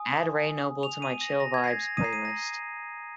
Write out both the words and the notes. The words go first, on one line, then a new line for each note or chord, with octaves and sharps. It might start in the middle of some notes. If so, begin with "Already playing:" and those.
Add Ray Noble to my Chill Vibes playlist.
Already playing: G#5 D#6
F7
D#7
A#6
A#6
G#6
C7
A#6
A#6
A#5 D#6 C7 D#7
D#7
A#6